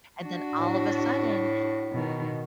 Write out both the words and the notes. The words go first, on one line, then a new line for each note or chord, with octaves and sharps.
And then all of a sudden,
D4 F#4
A2
B2 D#3